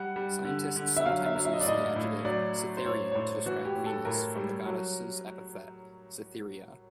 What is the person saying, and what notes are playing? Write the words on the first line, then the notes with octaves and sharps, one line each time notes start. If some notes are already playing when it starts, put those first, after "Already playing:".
Scientists sometimes use the adjective "Cytherean" to describe Venus, from the goddess' epithet "Cytherea".
Already playing: G3 F#5
G3
D3
D3
E5
F#3 F5
E5
F#3
E5
D#5
D5
A2 D#5
A2
F#3 D5
F#3
C5
A2 C#5
C#5
A2 C5
E3 F#4
G4
A2
A4
A2 A#4
G3
F#3